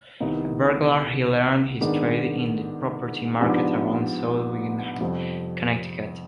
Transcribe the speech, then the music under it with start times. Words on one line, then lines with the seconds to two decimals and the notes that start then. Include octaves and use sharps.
A burglar, he learned his trade in the property market around South Windham, Connecticut.
0.20 C2 C3 D#3 B3 D#4
1.81 G#2 D#3 B3 D4 G#4
3.40 G#2 F3 B3 D4 G4
5.01 F2 C3 G3 C4